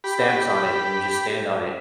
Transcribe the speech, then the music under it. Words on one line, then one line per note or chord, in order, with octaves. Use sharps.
stamps on it, and you just stand on it,
G4 B5